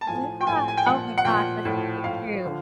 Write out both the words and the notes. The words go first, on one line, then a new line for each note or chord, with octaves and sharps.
yeah, oh, my gosh, that's so true.
A5
A2 F3 G#5
G5
A2 F3 G#5
G#5
G5
A#2 F3 F#5
F#5
A#2 F3 G5
A2 F3
A2 F3 F5
D3 F3